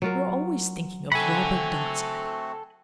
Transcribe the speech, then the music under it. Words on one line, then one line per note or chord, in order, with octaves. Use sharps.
You are always thinking of Robert Darzac.
F#3 F4 A#4
A3 C4 F#4 A4 F#5 G#5 B5